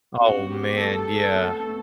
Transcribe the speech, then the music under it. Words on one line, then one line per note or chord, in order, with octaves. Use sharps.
Oh, man, yeah.
B3 F#4
C#4
B3
G4
A3 A4
A4
A3
B3
A3